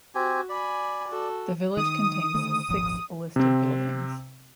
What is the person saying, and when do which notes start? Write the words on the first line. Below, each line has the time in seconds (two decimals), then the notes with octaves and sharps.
The village contains six listed buildings.
0.15 C4 F#4 G4 G#5
0.49 D5 G#5 B5
1.08 F#4 A4
1.77 D#3 D#6
2.34 D3 D#3 A3
2.69 D#1 G#1 F3
3.36 C3 C4